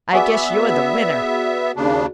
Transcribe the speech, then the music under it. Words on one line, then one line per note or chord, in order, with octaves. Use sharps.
I guess you're the winner!
B3 F#4 G#4 D5 E5
D#2 C#3 D4